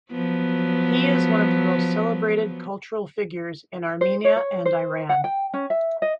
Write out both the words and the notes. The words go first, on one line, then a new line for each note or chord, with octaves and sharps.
He is one of the most celebrated cultural figures in Armenia and Iran.
F3 F#3 B3
C5
C#5
C#5
C5
F#5
G5
C#4
E5
D#5